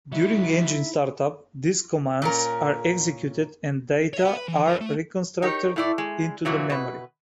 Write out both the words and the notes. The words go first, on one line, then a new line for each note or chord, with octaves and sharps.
During engine start-up, these commands are executed and data are reconstructed into the memory.
F#3 G#3 D#4 E4 E5
A#2 C#4 A#4
C#5 E5
B4 F#5
B4
E3
A#4 C#5
A3
D#4 G4 A#4 C#5
A2 E4 D5
G#3
F2 A#2 E3 F#3
B2 B4